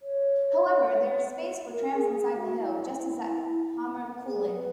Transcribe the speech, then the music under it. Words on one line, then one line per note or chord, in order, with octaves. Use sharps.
However, there is space for trams inside the hill, just as at Hammarkullen.
C#5
A#4
G#4
G#4
F#4
E4
G#4
B4